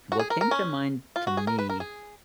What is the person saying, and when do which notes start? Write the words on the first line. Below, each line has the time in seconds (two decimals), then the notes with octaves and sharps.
what came to mind to me,
0.12 F#4
0.19 G#4
0.30 A#4
0.41 A#4
0.51 C#4
1.16 F4
1.27 F#4
1.37 G#4
1.47 A#4
1.59 B4
1.70 A#4
1.80 G#4